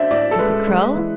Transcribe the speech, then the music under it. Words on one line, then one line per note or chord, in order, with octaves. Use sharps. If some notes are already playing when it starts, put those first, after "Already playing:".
'With the crow?
Already playing: D4 C5 D5 E5
A2 D5
A4
G#3 B4
G#3
E3